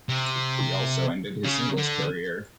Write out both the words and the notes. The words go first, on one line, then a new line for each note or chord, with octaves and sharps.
He also ended his singles career.
C3
C#3
D3